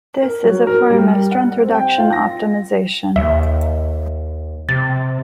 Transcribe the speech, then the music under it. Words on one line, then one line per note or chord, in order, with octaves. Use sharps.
This is a form of strength reduction optimization.
A#4
F#3
A#4
G3
F#5
C4
G5
F4
A#6
D#2 E5
C3 A6